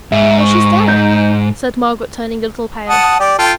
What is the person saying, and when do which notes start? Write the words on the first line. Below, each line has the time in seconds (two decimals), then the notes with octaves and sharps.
'But she's dead!' said Margaret, turning a little pale.
0.12 G#2 E5
0.41 C#6
0.88 D#4 D#5 G6
2.89 F#5 A5 D#6
3.20 G4 D5
3.39 F4 A4 G5